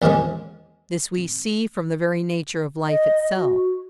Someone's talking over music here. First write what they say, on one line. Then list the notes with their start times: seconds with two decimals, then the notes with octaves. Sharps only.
This we see from the very nature of life itself.
0.02 E2 A#2 D#3 F3 G#3 C#4
2.86 D#5
3.35 F#4